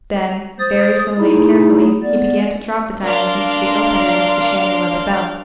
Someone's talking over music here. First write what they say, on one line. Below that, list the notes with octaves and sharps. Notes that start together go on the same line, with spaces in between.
Then, very slowly and carefully, he began to drop the diamonds into the open end of the chamois-leather belt.
C5 D#6 A6
A3 D#4 E4 G#4
B3 D5
D4 A#4 D5 F5 C6